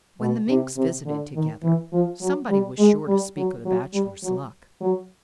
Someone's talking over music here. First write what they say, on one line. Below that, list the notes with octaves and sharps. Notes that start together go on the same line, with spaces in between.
When the Minks visited together, somebody was sure to speak of the Bachelor's luck.
B2
C3
C3
D3
D#3
E3
F3
F#3
G3
G#3
G3
F#3
F#3
G3
F#3
F#3